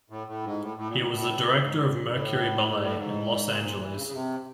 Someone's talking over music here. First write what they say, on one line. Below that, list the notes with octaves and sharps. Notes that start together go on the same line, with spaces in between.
He was the director of Mercury Ballet, in Los Angeles.
A2
A2
G#2
A2
A2
A#2
A2
A2
A2
A2
G#2
A2
G#2
A2
A2
G#2
A#2
E3
C#3
C#3
C3